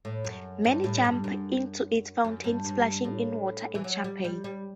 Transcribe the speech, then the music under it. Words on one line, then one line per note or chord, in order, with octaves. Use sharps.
Many jumped into its fountain, splashing in water and champagne.
A2
F#2
G2
A2
G2
F#2
F#2
G2
G2
A2
E3
F#3
G3
G3
G3